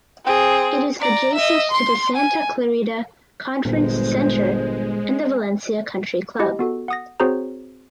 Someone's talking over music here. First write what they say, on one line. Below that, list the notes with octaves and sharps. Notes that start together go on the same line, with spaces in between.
It is adjacent to the Santa Clarita Conference Center and the Valencia Country Club.
C4 G#4
D5 A#5
D#5 E5
C6
G#5
G1 A#2 G#3 C5
E4 G4 D#5
B3 F#4 A4
F#5 D#6 A#6
C4 F#4 G#4 C5 C#5 A#5